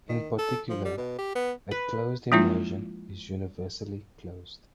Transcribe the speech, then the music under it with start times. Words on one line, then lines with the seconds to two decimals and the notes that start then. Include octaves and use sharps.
In particular, a closed immersion is universally closed.
0.09 D#3
0.39 A4
0.69 F3
0.85 G3
0.98 B2
1.19 G4
1.35 B3
1.71 B4
2.32 F3 G#3 A#3 D4 E4 F4